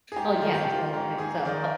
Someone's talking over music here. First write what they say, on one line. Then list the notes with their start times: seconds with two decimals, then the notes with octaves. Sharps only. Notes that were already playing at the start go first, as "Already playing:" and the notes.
Oh, yeah. So, I would think so, but
0.12 G#4
0.16 G#2 G4
0.35 F4
0.41 D#3
0.54 G4
0.68 D#3
0.74 F4
0.93 G#2 G4
1.18 G#2 G#4
1.45 D#3 D5